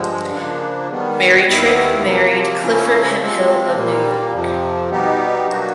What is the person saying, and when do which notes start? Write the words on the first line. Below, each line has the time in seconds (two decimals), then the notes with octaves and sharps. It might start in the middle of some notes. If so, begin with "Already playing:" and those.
Mary Tripp married Clifford Hemphill of New York.
Already playing: G2 D3 F3 G#3
0.30 C#3 F3 A#3 D4
0.88 D#3 G3 B3
1.46 D#2 D#3 G3 B3 E4
2.02 C3 F3 A#3
2.60 C#3 F3 A#3 C#4 E4
3.17 C3 F3 G#3 C4
3.74 A#2 G3 A#3
4.33 F2 C3 F3
4.90 B2 G3 B3 D#4 G4
5.47 F#3 A#3 D4 F#4